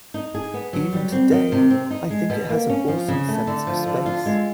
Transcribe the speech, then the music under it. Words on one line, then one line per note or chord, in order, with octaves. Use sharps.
Even today, I think it has an awesome sense of space.
D#4
G#4
B3
F#3
G3
C4
D#3
C3
C4
D#4
G#3
B2
A#3
C#4
F3
C#3
A3
D3
F3
D3
F4
G#3